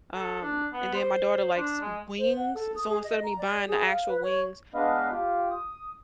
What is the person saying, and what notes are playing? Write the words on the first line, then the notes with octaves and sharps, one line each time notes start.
um, and then my daughter likes wings, so instead of me buying the actual wings,
A4
D4
B3
C5
D4
G#3
C5
F#5
A4
D#6
G#4
D#5
A#5
D5
G#4
F5
B4
C#5
G#3 B3 D4 B4 D#5 F5
F4 G4
D#6